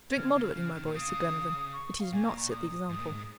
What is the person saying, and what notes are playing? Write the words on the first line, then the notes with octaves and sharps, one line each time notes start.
"Drink moderately, my boy," said Glenarvan; but he did not set the example.
G#6
C#3 F6
C#3
C#3
D#3
A#2
C#3 D#6
C#6
F5
A#2 G#5
A#5
C#6
D#6
G#2
A#2
G#2